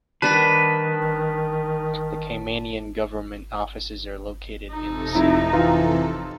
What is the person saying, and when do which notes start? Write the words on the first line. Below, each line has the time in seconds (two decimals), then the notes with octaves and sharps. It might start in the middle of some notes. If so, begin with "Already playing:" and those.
The Caymanian government offices are located in the city.
0.22 D#3 G3 D4 B4 A5 A6 B6
4.70 F2 C3 D#4 A4
5.15 F1 E4
5.53 E3 F4